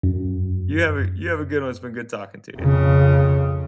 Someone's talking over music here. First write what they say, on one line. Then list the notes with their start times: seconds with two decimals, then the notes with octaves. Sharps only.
you have a you have a good one, it's been good talking to you.
0.03 F#2
2.58 F2 C#3